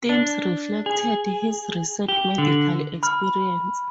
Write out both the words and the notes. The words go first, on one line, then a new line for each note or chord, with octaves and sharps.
Themes reflected his recent medical experience.
D4
G#4
G4
D3
B5 F6